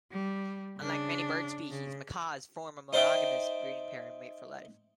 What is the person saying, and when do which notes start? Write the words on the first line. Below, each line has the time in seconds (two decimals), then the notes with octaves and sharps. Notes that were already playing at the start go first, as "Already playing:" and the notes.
Unlike many bird species, macaws form a monogamous breeding pair and mate for life.
0.12 G3
0.79 C#3 D4
1.70 C#3
2.93 D#4 C5 D5 E5 G5